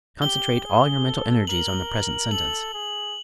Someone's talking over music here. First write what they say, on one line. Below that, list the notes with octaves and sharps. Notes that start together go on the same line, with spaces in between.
Concentrate all your mental energies on the present sentence.
G4 G7
G#4
A4
A#4 F#7
A4 F#7
G#4